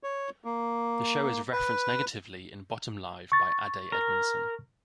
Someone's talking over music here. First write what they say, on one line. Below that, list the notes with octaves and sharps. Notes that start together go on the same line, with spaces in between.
The show is referenced negatively in Bottom Live by Ade Edmondson.
C#5
A#3
B4
C#6 A6
A#4